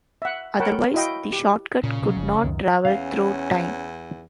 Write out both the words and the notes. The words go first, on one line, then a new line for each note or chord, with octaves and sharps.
Otherwise, the Shortcut could not travel through time.
E5 F#5
A#4 C#5 F#5 G5 A5 B5
E4 F#4 D#5 F5 G5
G4
A#2 C#3
B2 D3 F#3
F1 F2
C#2 F#2 D#3
E2 C#4 F5